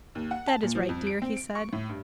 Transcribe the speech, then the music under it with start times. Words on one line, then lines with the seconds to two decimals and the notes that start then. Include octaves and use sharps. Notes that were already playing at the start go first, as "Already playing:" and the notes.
"That is right, dear," he said.
0.15 D#2
0.31 F#5
0.47 A5
0.63 A#2
0.75 F3
0.89 F2
1.07 D7
1.22 C4
1.37 D7
1.55 C#6
1.73 A2
1.89 G2